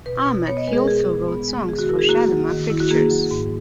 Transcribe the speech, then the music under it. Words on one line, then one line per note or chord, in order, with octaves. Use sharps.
Ahmed, he also wrote songs for Shalimar Pictures.
B2 B4
B2
B3 C#5
D#5
G#3 B4
G#4
A#4
B2 G#4
B2
B3
G#3
D#3 G#4
F#4
E4 A#4
G#4
A#3 F#4
F#3
D#3
E4
F#4
A#3 G#4
F#3
G#2